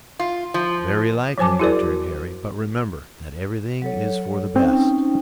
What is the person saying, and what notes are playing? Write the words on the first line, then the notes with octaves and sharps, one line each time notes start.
"Very likely," returned Harry, "but remember that everything is for the best."
F4
F3
F3 F#3 C5 G#5 A5 D6
E4 F#4 G#4 A#4 C5 D5
F#3 A4 C#5
C4 C#4 D#4 G5